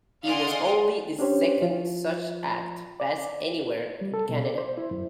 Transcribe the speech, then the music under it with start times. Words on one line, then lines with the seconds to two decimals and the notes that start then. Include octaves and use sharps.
It was only the second such act passed anywhere in Canada.
0.24 D5 D#5 F5 F#5 G#5 C6
1.19 C#4 D4 G4 C5 C#5
1.62 F3 F4
3.00 D5
4.01 G3
4.14 A4
4.29 B2
4.45 D5
4.58 C5
4.78 E4
4.91 F#2